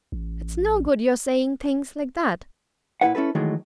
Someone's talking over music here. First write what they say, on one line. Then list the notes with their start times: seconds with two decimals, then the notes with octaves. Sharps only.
It's no good your saying things like that.
0.12 A1
3.01 A#2 C#3 E4 B4 F#5
3.15 C#4 E4 A4 B4
3.35 D#3 E3 F#3 G#3 A3